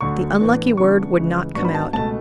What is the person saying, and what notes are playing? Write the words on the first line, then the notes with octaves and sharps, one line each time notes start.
The unlucky word would not come out.
D2 D3 F#3 C#6
A2 E3 B3 D4
C#3 E3 B3 D4 C#6
C#2 C#3 E3
G#2 F#3 B3 D4 C#6
B5
A5
C#2 B2 A3 A5